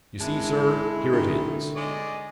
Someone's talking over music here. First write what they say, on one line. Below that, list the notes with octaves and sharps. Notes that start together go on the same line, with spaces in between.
You see, sir, here it is.
G#1 G#3 D4 E4
D3 D#3
G#3 D5 D#5